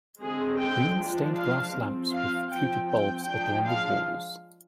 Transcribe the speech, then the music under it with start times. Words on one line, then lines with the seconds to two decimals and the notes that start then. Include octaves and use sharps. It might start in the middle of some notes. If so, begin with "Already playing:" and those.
Green stained-glass lamps with fluted bulbs adorn the walls.
0.20 D3 G#3 C4 G#4
0.59 G5
0.98 F3 G#3 D4
1.35 F5
1.75 F3 C4
2.12 F5
2.51 F3 C4 G5
2.89 G5
3.27 F3 G#3 D4 G5
3.66 F5